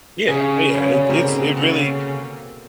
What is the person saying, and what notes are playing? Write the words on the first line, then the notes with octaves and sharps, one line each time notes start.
Yeah, yeah, it's it's it really
C#3 G#4
F#2 D3 C#4
G#2 B2 F#3 A#3 C4
F#4 A4